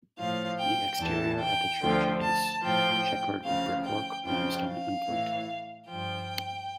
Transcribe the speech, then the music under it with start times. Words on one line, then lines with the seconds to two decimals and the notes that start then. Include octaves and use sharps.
The exterior of the church is chequered with brickwork, limestone and flint.
0.18 A2 F3 F5
0.60 G5
1.00 E2 E3 A5
1.41 G5
1.82 D2 D3 F3
2.22 A5
2.63 A2 F3 G5
3.44 D2 C#3 F3 F5
3.84 G5
4.25 F2 C#3 F3 G5
4.66 F5
5.06 A2 E3
5.87 G2 F3 G5